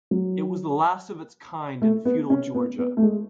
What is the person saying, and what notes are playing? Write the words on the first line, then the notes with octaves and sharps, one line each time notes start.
It was the last of its kind in feudal Georgia.
F#3
A3
B3
C#4
B3
B3
A3
G#3